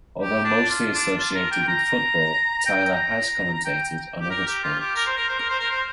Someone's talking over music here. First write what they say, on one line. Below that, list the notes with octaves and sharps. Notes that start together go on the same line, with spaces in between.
Although mostly associated with football, Tyler has commentated on other sports.
G4
D4
F4
D4
F4
A#4
G5
A#5
A#5
G5
A#5
A#5
G5
G4
A#4
G4
F4
G4
A#4
C5
A#4
C5
A#4
C5
A#4
C5